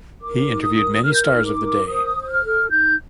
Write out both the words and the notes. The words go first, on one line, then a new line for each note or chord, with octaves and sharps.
He interviewed many stars of the day.
A#4 D6
D#4
D#6
A#4
A#4 F6
G6
F6
D#4
D6
A#4
C5 D#6
C5
D#6
F6
A4
D#4 G6